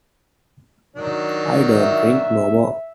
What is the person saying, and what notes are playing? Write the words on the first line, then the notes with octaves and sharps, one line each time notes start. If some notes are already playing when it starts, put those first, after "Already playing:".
I don't drink no more.
D#3 F#3 D4
E5